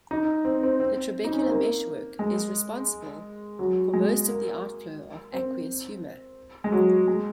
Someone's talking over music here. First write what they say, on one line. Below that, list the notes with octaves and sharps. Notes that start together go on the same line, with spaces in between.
The trabecular meshwork is responsible for most of the outflow of aqueous humor.
D#4
C4
C4
C4
D#4
C#4
C4
A#3
G#3
F#3
G#3
A#3
C4
G#3
F#3
G#3